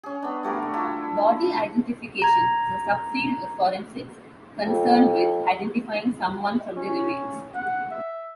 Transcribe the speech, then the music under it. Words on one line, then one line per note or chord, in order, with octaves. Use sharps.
Body identification is a subfield of forensics concerned with identifying someone from their remains.
C#4 G#4
B3 D4
G3 A3 F#4 A#4
E4 F4 A4
A#5 G#6
F2
C#4
F#5
E5